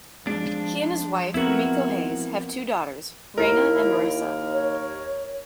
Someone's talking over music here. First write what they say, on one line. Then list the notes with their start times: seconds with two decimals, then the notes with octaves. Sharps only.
He and his wife, Rumiko Hayes, have two daughters, Reina and Marissa.
0.27 F3 G#3 D4
1.34 B3 C4 E4 F#4 A#4
3.38 D#2 E4 A#4
4.52 C#5